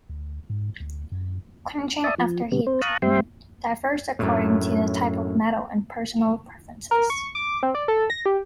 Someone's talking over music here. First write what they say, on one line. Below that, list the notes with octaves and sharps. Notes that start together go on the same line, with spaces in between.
Quenching after heat treatment differs according to type of metal and personal preferences.
D2
G#2
D2
F#2
D5 E5 A5 D#6
F3
A#2 C#3 G3 B3
C4 C5
F5 A5 A#5 C#6 D#6 F#6
G2 G3 C4 E5 G5 C6
F#2 A2
A#4
C#6
D6
C4
D5
A4
A#6
G4